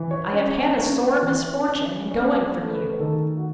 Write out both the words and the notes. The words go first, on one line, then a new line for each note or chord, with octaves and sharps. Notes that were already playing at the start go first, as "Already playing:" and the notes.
'I have had a sore misfortune in going from you.
Already playing: E3
C#5
C#4
C#4
E3
C#4
C#4 D5
C5
A3
B4
D#3 A4
F#4